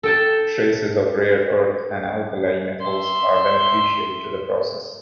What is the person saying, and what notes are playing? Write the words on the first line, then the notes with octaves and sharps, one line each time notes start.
Traces of rare earth and alkali metals are beneficial to the process.
A4 G5 A5
E5 C6